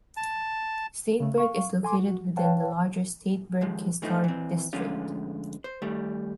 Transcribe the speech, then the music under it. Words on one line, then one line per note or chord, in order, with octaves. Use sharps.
Stateburg is located within the larger Stateburg Historic District.
A5
C#3 A3
F5 C#6
A4 G#5 C6 D6
F#4
B4 C#5 F5 G5 A5
D#2 F3 G#3
E3 F3 A3 D#4
E3 C4
A2 D3 F3 G#3 C#4 F4
C5
D#3 G3 A3